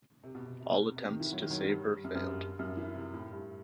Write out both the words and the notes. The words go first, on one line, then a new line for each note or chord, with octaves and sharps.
All attempts to save her failed.
C3
B2
C3
C3
C3
D#3
E3
F#3
D#3
F#3
D#3
G2
F#2
F#2
G2
G2
F#2
E3
C3
A2
G2